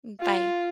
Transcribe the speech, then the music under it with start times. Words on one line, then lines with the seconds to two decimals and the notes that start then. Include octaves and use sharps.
Mm, bye.
0.21 F4